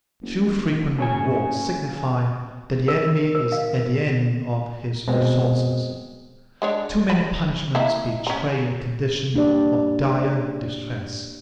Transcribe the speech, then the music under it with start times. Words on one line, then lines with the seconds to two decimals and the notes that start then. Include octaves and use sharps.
Too frequent rewards signify that the enemy is at the end of his resources; too many punishments betray a condition of dire distress.
0.22 F#1
0.99 C#3 C#5 G#5
2.88 A#4
3.35 A#4
3.52 F5
5.08 B2 G#3 C4
6.62 G#3 D4 C#5
7.10 B5
7.75 A#3 D#4 E4
8.27 C#4 A#5
9.34 A#3 D4 G4 D5